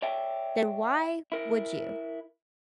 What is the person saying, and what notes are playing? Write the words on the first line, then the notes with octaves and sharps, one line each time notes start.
then why would you?
C#5 D5 E5 G5
E4 A#4